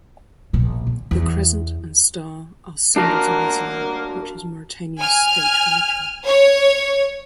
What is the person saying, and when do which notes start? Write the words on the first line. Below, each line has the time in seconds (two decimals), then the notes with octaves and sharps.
The crescent and star are symbols of Islam, which is Mauritania's state religion.
0.53 A#1 B2
0.87 D3
1.11 E2
2.96 A#3 D4 F4 F#4 A#4 A5 A#5
5.00 G#5 F6
6.25 C#5